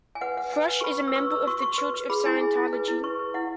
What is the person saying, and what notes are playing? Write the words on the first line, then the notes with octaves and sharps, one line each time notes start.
Fresh is a member of the Church of Scientology.
G#5
B4 F#5
B4 F#5
B4 G#5
B4
C#6
B4 B5
B4
E6
B4 C#6
B4 E6
F#4 C#6
F#4 C#6
B4
B4
G#4 B5
E4 G#5
G#4
E4
B4
E4
B4 C#6
B4
E4 F#5